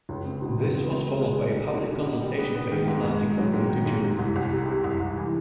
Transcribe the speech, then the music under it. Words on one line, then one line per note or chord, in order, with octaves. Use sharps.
This was followed by a public consultation phase lasting from May to June.
C#2
C4
B2
C#2
C4
C4
G#3
G#3
G3
D#4
B2
D#4
G3
G3
B3
B3
D#3
G#2
G#2
G#2
F#3
G#2
D#3
G#2
C3
C2
C2
C3
C3
C2
C2
E3